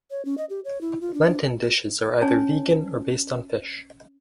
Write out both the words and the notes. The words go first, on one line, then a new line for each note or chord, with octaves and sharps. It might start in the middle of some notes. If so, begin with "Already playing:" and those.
Lenten dishes are either vegan or based on fish.
C#5
C#4
D#5
G4
C#5
E4
F4
D4
D4
C#4 D4 C#5 G#5 A5